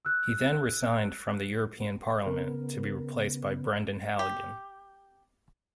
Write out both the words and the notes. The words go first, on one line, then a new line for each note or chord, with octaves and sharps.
He then resigned from the European Parliament, to be replaced by Brendan Halligan.
E6 F#6
C#3 B3 A#4
G4